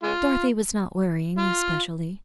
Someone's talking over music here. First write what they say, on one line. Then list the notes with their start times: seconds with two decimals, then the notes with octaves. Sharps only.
Dorothy was not worrying, especially.
0.03 G#3 F4
1.38 F4